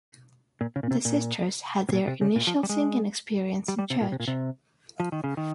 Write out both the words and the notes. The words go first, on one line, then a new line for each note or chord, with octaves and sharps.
The sisters had their initial singing experience in church.
A#2
C#3
A#2
C3
A#2
C3
A#2
C3
C#3
A#2
F3
G3
G#3
G3
G3
C3
A#2
C3
A#2
C3
F3
D#3
C#3
D#3